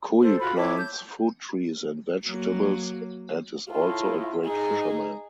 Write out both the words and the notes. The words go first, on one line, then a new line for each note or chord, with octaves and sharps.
Kui plants food trees and vegetables and is also a great fisherman.
A4 C5
F4 F#4 B5
E4 C#5 A5 D6
G6
F#3 A#3
A2 F4
D#4 G#4